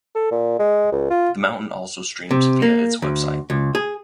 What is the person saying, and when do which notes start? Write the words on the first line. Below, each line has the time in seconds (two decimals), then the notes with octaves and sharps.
The Mountain also streams via its website.
0.15 A4
0.31 A#2
0.59 G#3
0.92 C#2
1.10 F4
2.31 C3
2.62 A#3
3.02 D2
3.50 C#2
3.75 G#4